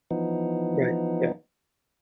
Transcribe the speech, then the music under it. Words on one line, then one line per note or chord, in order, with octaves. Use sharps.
Right, yeah.
E3 F3 B3 D#4